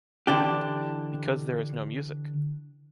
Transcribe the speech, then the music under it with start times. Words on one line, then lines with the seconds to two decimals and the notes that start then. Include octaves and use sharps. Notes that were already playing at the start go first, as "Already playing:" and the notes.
Because there is no music.
0.27 D3 E3 D4 G4